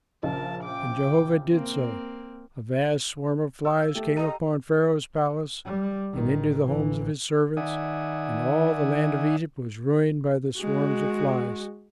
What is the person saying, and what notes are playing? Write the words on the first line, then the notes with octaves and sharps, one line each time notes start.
And Jehovah did so: a vast swarm of flies came upon Pharaoh's palace and into the homes of his servants; and all the land of Egypt was ruined by the swarms of flies.
A#1 C#3 A#4 A5
G5 D6
A#3 C4
C#5 E5 F5 E6
A3 G4 A4 E5
D#5 F5 A#5 D#7
G3
A1 D#3
A1 E3
D#3 D5 E5 F#5 G#5 D#6
G#3 F#4